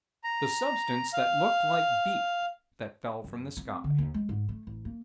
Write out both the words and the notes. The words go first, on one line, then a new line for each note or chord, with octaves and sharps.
The substance that looked like beef that fell from the sky.
A#5
F5
F#2
C4
D3
D#2
G#3
G#2
A3
A1
A#3